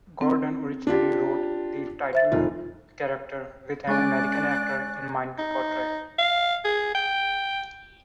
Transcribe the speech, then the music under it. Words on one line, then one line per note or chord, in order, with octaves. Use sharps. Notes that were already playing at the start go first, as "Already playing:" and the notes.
Gordon originally wrote the titular character with an American actor in mind to portray.
C4
D4 F4 G4
C5 E5 A6
F1 D#4 F4
G#3 C#4 D5 G#5 C#6 F#6 A6
D#4
F5
G#4
G5